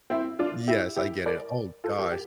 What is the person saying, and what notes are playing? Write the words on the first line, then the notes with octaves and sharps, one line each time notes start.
Yes, I get it. Oh gosh.
C4 E4
D4 F4
E4 G4
E4 G4
A#4 D5
F4 A4
G4 A#4
G4